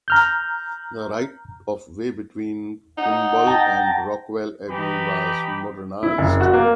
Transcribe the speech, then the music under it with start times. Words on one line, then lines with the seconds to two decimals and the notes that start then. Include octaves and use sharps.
The right-of-way between Kimball and Rockwell Avenue was modernized.
0.08 A#5 F6 G6
2.98 D#4 F#5
3.47 G5 A5 A#5
4.69 E3 D#4 G4 B5
6.03 E4
6.18 F#1
6.41 F#4
6.53 A#3